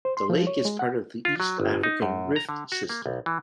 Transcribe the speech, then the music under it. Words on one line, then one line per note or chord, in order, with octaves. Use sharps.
The lake is part of the East African Rift system.
C5
C6
F3
C#5
G#3
F#5
F4
F#3
G1
D#4
F#2
A#5
D3
F#4
A#3
B1
E3